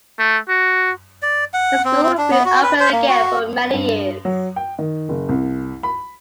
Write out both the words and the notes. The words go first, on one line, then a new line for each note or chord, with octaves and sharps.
The school has been open again for many years.
A3
F#4
D5
F#5
C4
C4
D4
B3
F#4
B4
C5
A#3
F#4
G2
F#3
G5
D#3
F#1
C2
B5